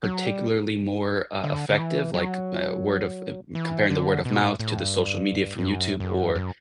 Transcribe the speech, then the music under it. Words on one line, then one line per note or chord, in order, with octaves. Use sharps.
particularly more, uh, effective? Like, uh, word of uh, m comparing the word of mouth to the social media from YouTube or
F#3
G3
D3
D3
E3
F#3
E3
D3
B2
A2
A2
G2
G2
F#2
F#2
F#2